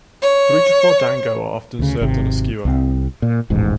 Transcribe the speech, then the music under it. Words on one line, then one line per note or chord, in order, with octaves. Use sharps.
Three to four "dango" are often served on a skewer.
C#5
D2 C#3
G#1 C3
C2 C4
A#2
D#1 A1 G#2